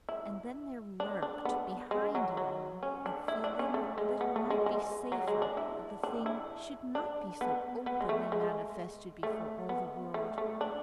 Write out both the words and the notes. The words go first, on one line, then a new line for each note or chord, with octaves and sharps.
And then there lurked behind it all a feeling that it might be safer that the thing should not be so openly manifested before all the world.
E4
D4
D4
B3
G#3
F#3
F#3
C#4
D4
E4
D4
C#4
A3
G#3
B3
A3
G#3
G#3
F#3
G#3
D4
E4
D4
E4
D4
B3
B3
G#3
A3
G#3
A3
B3
A3
A3
D4